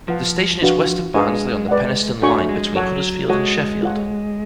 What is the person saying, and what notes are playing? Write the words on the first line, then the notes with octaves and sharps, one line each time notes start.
The station is west of Barnsley on the Penistone Line between Huddersfield and Sheffield.
F3 F4 B4 F#5 A5
D4 F#4 B4 F5
G#3 D4 G#4 B4 F5 A5
B4 D5 F#5
A3 D4 F#4 C#5 G#5 C#6
G#3
F#3 A4 C#5 F#5 A5
G#3 F#4 A4 C#5 F#5 A5
F4 A4 C#5 F#5